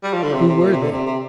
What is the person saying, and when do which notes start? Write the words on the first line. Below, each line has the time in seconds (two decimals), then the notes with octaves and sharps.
Who were they?
0.03 G3
0.13 F3
0.22 D3
0.33 C3
0.48 C3
0.62 A#2
0.73 C3
0.82 D3
0.92 C3
1.06 C3